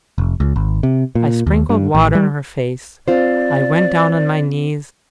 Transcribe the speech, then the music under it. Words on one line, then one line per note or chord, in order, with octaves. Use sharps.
I sprinkled water on her face. I went down on my knees.
F1
C#2
G#1
C3
A#2
D#2
G2
A1
G3
C4 F4 C5 D5